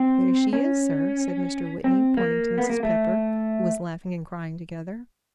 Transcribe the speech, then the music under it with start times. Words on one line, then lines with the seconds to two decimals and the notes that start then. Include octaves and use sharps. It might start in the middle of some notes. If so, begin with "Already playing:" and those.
"There she is, sir," said Mr. Whitney, pointing to Mrs. Pepper, who was laughing and crying together.
Already playing: C4
0.53 C#4
1.84 C4
2.17 A#3
2.58 B3
2.70 A#3
2.83 A3